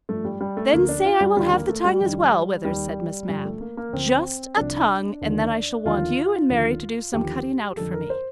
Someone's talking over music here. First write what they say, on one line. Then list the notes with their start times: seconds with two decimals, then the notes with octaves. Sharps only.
"Then say I will have the tongue as well, Withers," said Miss Mapp. "Just a tongue--and then I shall want you and Mary to do some cutting out for me."
0.09 G2 F3 A3
0.25 G3
0.41 G3
0.57 A3
0.72 D2 D3 F3 A#3
0.89 D4
1.05 F4
1.21 G3
1.37 D#2 D3 F3 G3
1.53 A#3
1.69 A3
1.84 G3
2.01 F2 D#3
2.65 D#2 D#3 G3
3.29 G2 D3 F3 G3
3.45 A3
3.61 A#3
3.77 A#3
3.93 D2 D3 F3 C4
4.57 C2 C3 F3 D4
5.21 D#2 D3 F3
5.85 D#2 D3 F3 F4
6.49 D#2 D3 F3
7.13 D#2 D3 F3 G4
7.77 F2 D3 F3 A4
7.94 A#4
8.10 C5